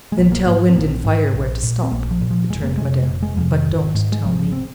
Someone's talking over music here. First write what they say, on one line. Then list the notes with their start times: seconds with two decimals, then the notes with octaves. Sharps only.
"Then tell Wind and Fire where to stop," returned madame; "but don't tell me."
0.12 G#3
0.17 A#1 A#3
0.32 A#3
0.46 G#2 A#3
0.69 C4
0.76 A#1 A#3
0.84 C4
1.05 G#2
1.34 A#1
1.63 A#2
1.83 C4
1.92 A#1 A#3
2.11 F3
2.21 A#2
2.30 F3
2.50 F1 G#3
2.63 A#3
2.78 F2 C3 G#3
3.08 F1
3.23 G#3
3.37 F2 C3 F3
3.51 D#3
3.67 G#1
3.95 G#2
4.12 G#3
4.24 G#1 F3
4.39 F3
4.52 C4